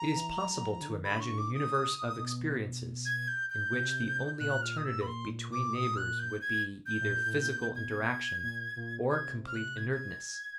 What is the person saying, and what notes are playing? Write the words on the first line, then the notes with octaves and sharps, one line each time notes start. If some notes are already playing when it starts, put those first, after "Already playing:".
It is possible to imagine a universe of experiences in which the only alternative between neighbors would be either physical interaction or complete inertness.
Already playing: A#5
E3
F#3
F#3
F3
D3
D#3
D3 B5
C#6
D6
D#6
C#3
B2
G#6
G6
G6
C3
A#2 F#6
F6
D#6
E6
B5
C6
D6
D#6
F#6
G6
G#6
G6
A2
A#2
A2
A#2
B2
G#6
A#2
A#2
C3 G#6
F6
F#6
G#6
G#6